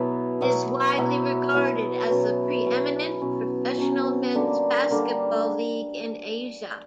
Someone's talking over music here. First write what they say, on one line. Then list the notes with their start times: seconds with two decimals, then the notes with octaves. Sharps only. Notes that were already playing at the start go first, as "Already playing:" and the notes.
It is widely regarded as the pre-eminent professional men's basketball league in Asia.
Already playing: B2 F#3 B3 E4
0.41 B2 F#3 B3 E4
0.98 B2 F#3 B3 E4
1.54 B2 F#3 B3 E4
2.09 B2 F#3 C#4
2.65 B2 F#3 C#4
3.22 B2 F#3 C#4
3.78 B2 F#3 C#4
4.35 D3 G3 A#3
4.90 D3 G3 A#3